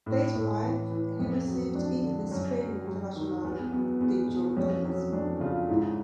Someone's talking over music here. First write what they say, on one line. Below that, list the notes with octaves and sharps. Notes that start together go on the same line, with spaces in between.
Late in life he received Italy's Premio Internazionale di Giornalismo.
A2
A2
E3
E3
F2 C4
F#3
F2 D4
D3
F#2 C#4
F#3
F#2
D#3
E2 B3
B3
F#3 B3
B3
E2 B3
B2
F2 C#4
F#3 C#4
F2 D4
C#3 F4
G#2 E4